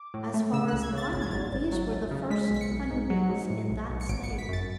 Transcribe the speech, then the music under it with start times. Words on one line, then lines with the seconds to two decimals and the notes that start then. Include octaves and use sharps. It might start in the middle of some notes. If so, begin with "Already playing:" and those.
As far as I know these were the first honey bees in that state.
Already playing: D6
0.14 A2
0.34 A3
0.53 C#3 E6
0.68 C#2 F#6
0.83 G#6
0.93 C#3 A6
1.13 G#1 A6
1.22 G#6
1.31 G#1 A6
1.52 G#1
1.72 F#3
1.92 C#2
2.11 C#3
2.30 G#3 B6
2.51 B1 B6
2.61 C#7
2.70 B1
2.90 G#2
3.10 F#3
3.29 G#2
3.50 A2
3.69 B1
3.89 B1
4.01 C#7
4.09 G#1 D7
4.23 C#7
4.29 G#1
4.38 B6
4.49 F#2 A6